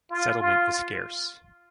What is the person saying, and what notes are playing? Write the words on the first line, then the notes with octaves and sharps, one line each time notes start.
Settlement is scarce.
F4
F4